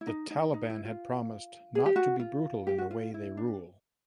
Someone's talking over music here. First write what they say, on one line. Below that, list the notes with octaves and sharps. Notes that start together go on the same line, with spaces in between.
The Taliban had promised not to be brutal in the way they rule.
E4
D#4
D#4
D#4
E4
F4
G#4
G4
F#4
F4
G4
F#4
F4
E4
D4